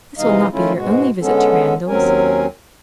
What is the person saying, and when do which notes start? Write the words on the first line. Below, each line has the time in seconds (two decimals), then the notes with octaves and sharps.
"This will not be your only visit to Randalls."
0.18 C3 E3 G#3 D#4 D#5 F5
0.52 D#3 A3 C#4 E4 F4
0.75 G#2 B2 G#3 F#4
1.21 D3 G#3 B3 C#4 A4
1.88 D#2 F#3 C4 C#4 A#4 G#5